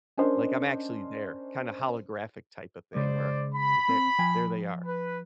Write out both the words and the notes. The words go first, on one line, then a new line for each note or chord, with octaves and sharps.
like, I'm actually there, kinda holographic type of thing where there there they are.
C#4 D4 A#4 C5 D#5
C#3 G#3 C5 D5
B5
C4
F3 G5 G#5
B4